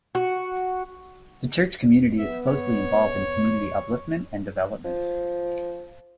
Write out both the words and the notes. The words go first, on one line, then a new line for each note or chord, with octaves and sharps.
The church community is closely involved in community upliftment and development.
F#4
B3 E5
C#5
F3